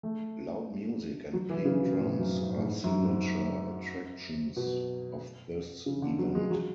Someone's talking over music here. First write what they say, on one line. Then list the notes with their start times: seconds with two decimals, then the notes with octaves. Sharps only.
Loud music and paint drums are signature attractions of this event.
0.03 A3
1.33 F#3
1.49 E3
1.65 C#3
1.82 B2
1.92 G#2
1.98 A2
2.19 F#2
2.41 G#2
2.57 A2
2.62 G#2
2.84 F#2
3.06 G#2
4.56 B2
5.86 C#3
6.02 D3
6.18 F#3
6.35 G#3
6.51 F#3